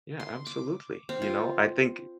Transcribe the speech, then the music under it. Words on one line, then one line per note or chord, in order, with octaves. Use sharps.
Yeah, absolutely, you know? I think
C6
D6
C4
F4